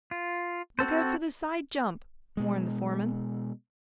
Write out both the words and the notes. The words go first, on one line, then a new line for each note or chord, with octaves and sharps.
"Look out for the side jump!" warned the foreman.
F4
C4 F#4 A4 C5
B2 G#3